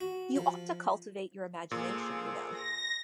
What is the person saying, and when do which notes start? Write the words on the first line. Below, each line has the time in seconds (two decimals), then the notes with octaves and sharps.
You ought to cultivate your imagination, you know.
0.01 F#4
0.36 F3
1.71 A#2 G#4 A4 C5
2.49 A#6